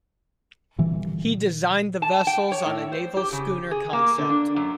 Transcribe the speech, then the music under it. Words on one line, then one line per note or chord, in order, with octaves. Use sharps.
He designed the vessels on a naval schooner concept.
A#2 D3 E3 G3
A5
G5
C#5
A2
C5
G4
C#3
G#4
A#3
D3
D4
F#2